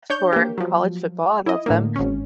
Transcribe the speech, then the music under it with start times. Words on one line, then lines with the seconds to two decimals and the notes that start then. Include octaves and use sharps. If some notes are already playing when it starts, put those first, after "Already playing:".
for college football; I love them.
0.10 D4 C#5 G6
0.33 A#3 G4
0.58 F3 F#3
1.46 E4 D#5
1.66 A2 D3 A#3
1.96 G#1 C#4